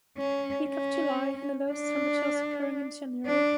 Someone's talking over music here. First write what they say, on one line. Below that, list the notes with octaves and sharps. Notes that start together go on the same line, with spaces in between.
Week of July and the lowest temperatures occurring in January.
C#4
C#4
D4
D4